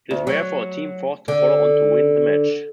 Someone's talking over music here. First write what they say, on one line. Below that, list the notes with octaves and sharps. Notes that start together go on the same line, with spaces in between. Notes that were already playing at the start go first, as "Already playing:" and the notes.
It is rare for a team forced to follow on to win the match.
D2
F#3
D3